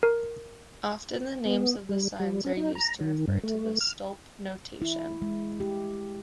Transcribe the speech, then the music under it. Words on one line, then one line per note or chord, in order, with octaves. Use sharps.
Often the names of the signs are used to refer to the stolp notation.
A#4
B3
G3
G3
C#4
D#4
A#5
D#3
G2
A3
F6
E4
G#3
G4